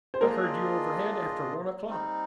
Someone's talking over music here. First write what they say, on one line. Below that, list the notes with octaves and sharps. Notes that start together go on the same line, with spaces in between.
"I heard you overhead after one o'clock."
C5
A#3 D4 F4 G#4 A#4 D#5
G3 C4 D#4